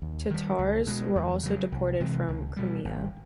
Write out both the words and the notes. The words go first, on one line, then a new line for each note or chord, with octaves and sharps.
Tatars were also deported from Crimea.
D#2
D#3 G3
C#2
B2 G#3
E2
C#3 F#3
C2
C3 E3 G#3
C#2
B2 G3
G#1